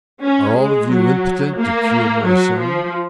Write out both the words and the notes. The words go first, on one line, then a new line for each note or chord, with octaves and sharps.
Are all of you impotent to cure my son?
C#4
G#3
F#3
A#3
F#3
F3